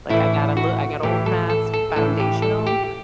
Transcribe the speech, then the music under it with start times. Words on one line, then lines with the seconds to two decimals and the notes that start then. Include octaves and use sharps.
like, "I got a li I got old math's foundational,
0.10 A2 E3 E4
0.57 F#4
1.03 A2 E3 G4
1.26 A4
1.50 A4
1.74 A4
1.96 A2 E3 A4
2.20 G4
2.42 A4
2.67 G4